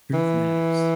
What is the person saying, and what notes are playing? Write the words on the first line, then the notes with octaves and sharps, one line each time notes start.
Truth matters.
E3